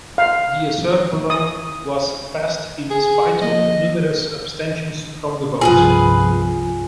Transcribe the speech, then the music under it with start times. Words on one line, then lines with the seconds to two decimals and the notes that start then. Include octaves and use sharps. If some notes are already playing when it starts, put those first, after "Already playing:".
The Acerbo Law was passed in spite of numerous abstentions from the vote.
0.18 F5
1.30 D#6
2.91 G#4
3.42 F3 A#3 D#5
5.61 G1 C2 F3 F4 G#4 A4 B4 G#5